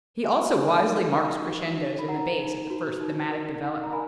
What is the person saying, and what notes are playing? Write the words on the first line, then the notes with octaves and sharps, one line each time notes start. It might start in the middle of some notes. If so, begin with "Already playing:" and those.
He also wisely marks crescendos in the bass at the first thematic development.
F#4 E5 G#5
D#4
A#4
D#4
F#4
D#4
B5
A#4 F#5 A#5
D#4
F#4
D#4
A#4
D#4
A#5
A#4 G#5 B5